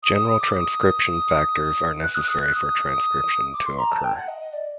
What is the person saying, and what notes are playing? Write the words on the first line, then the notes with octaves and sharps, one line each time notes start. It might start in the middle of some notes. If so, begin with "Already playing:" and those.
General transcription factors are necessary for transcription to occur.
D#6
D#6
D#6
D6
D#6
F#6
D#6
F#6
D#6
F#6
D#6
D6
C6
A#5
A5
G5
F#5
D#5
D#5
D5